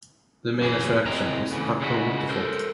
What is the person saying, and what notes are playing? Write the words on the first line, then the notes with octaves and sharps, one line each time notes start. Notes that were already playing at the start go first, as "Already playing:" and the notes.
The main attraction is Pacho Waterfall.
F#2 E3 C#4 G#4
C4 E4 G#4 A#4 D#5 A#5
D2 C#3 E3
C#3 G#3 E4 F#4
A4 A#4 C5